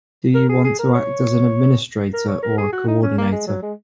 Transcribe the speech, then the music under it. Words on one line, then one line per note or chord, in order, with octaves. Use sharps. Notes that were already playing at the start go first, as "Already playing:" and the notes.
Do you want to act as administrator or coordinator?
A#4
G#4
G#4
A#4
C#5
A#4
C#5
A#4
G#4
F#4
D#4
C#4
A#3
G#3
F#3
G#3